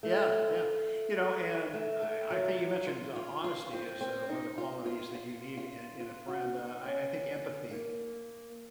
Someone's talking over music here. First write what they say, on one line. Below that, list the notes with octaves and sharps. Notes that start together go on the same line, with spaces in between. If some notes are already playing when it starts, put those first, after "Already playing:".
Yeah, yeah, you know and I I think you mentioned, uh, honesty is, uh, one of the qualities that you need in in a friend, uh, I I think empathy,
A3
A3
A3
F#3
F#3
F4
F4
F4
C4
C4
D#4
F4
F4
F4
F4
F4
F#4
D#4
C#4
A#3